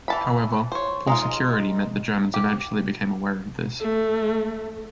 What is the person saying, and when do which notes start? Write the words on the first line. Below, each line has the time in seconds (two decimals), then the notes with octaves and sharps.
However, poor security meant the Germans eventually became aware of this.
0.08 E3 A5 B5
0.72 C5 C#5
1.07 G#3 D#4 F4
2.34 G4
3.80 A3